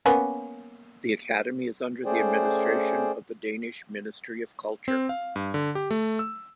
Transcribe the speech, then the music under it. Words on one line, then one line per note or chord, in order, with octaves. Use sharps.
The academy is under the administration of the Danish Ministry of Culture.
A#3 B3 C#4
A3 C#4 G#4 C5 D5 G5
C4
F5
G2
D3
G4
A3
E6